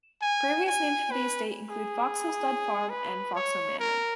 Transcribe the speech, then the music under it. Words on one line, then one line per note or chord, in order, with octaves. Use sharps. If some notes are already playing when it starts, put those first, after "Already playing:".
Previous names for the estate include Foxhill Stud Farm and Foxhill Manor.
G#5
G#5
B4
G#4
B4
C#5
A#4